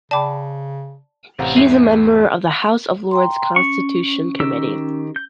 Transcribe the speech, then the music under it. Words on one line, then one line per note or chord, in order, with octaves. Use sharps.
He is a member of the House of Lords Constitution Committee.
C#3 D5 G5 A5 B5 D6
A1 C3 C5 F5 F#5 A#5
E2 G#2 E5 C7 D#7
G5 A#5 C6
C#4 C#6
D#3 G4 E6
G6